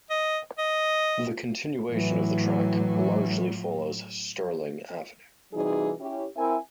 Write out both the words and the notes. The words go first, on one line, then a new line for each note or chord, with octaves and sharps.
The continuation of the track largely follows Sterling Avenue.
D#5
D#5
A2 E3 F#3
C3 E3 G3 D#4 F#4 G#4
C#4 E4 G4
C4 E4 A#4 E5 G#5